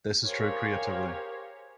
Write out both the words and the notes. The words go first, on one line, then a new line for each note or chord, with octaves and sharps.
This is true creativity.
G4 G#4 A#4 C5 C#5 F5